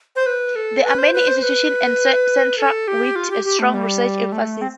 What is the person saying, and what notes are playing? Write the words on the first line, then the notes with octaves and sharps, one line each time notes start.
There are many institutes and centres with a strong research emphasis.
C5
B4
A4
B4
C5
B4
C5
B4
A4
G4
F4
G4
G4
A3
G3
A3
C4